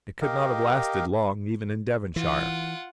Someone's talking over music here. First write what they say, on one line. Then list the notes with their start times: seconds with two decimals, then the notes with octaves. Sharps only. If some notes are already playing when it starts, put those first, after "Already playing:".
It could not have lasted long even in Devonshire.
0.22 G4 A#4 D#5 F5
2.16 E3 F4 F#5